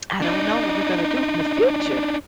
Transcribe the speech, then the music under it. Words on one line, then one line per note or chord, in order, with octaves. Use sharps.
"I don't know what we're gonna do in the future."
D4 D#4